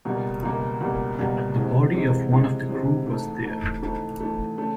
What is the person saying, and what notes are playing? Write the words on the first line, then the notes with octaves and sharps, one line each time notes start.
The body of one of the crew was there.
C#2 B2 G3 A#3
C#2 B2 G3 A#3
C#2 B2 G3 A#3
C#2 B2 G3 A#3
C3 E3 G#3
C3 E3 G#3
C3 E3 G#3
C3 E3 G#3
G#2 E3 A3
G#2 E3 A3
G#2 E3 A3
G#2 E3 A3
C#3 E3 A3